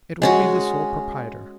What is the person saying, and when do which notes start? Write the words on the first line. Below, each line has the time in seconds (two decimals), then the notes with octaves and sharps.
It will be the sole proprietor.
0.22 G#3 C#4 F#4